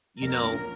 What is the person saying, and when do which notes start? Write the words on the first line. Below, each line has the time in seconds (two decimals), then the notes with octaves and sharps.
you know,
0.21 F2 A#4
0.43 D3 F3 A#3 C#4